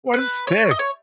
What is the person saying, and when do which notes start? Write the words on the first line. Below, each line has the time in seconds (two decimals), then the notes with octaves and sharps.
what a stick.
0.14 B4
0.47 C#5
0.71 D#5
0.79 C#5